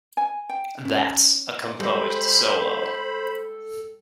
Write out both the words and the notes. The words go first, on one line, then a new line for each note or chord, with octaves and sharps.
That's a composed solo.
G#5
G5
C#4
G3 G#3 A4 C5 B5